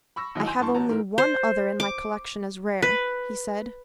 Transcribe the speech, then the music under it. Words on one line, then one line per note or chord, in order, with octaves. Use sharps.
"I have only one other in my collection as rare," he said.
B5 C#6 E6 A#6
D#2 E3 F#3 D#5
G#5 C6 G6
G2 E3 A5 C6 C#6
A1 F#4 A5 A#5
G#2 E3 A#4
C5
D6
B4